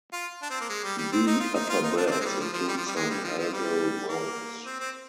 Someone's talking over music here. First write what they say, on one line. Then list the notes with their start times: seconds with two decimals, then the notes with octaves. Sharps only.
The upper beds include some algal mounds.
0.13 F4
0.42 D4
0.50 C4
0.61 A#3
0.69 G#3
0.84 G3
0.98 G3
1.12 C4
1.27 D#4
1.40 F4
1.55 D#4
1.69 F4
1.83 D#4
1.97 D4
2.07 A#3
2.11 C4
2.21 G#3
2.25 G3
2.40 F3
2.53 F3
2.68 G3
2.77 F3
2.87 G3
2.96 G#3
3.10 G3
3.24 F3
3.38 F3
3.53 G3
4.09 A#3
4.65 C4
4.80 C4